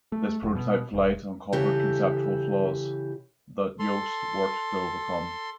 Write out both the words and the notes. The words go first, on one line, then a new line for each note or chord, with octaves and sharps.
This prototype flight uncovered conceptual flaws that Yost worked to overcome.
A3
F1
B2
D#1
C#3 E3 E4 G4 A4
A4 C6